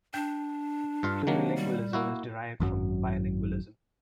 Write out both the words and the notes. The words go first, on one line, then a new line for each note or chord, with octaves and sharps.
Plurilingualism is derived from bilingualism.
D4 G5
G2 F4 F5
D#3 F#3 A#3
G3
A#3 E4 F#4
G#1 F#2 F#3